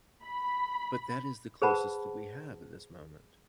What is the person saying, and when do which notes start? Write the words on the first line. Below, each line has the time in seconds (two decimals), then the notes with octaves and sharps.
But that is the closest that we have at this moment.
0.24 B5
1.62 G#4 B4 C5 F#5 A5 B5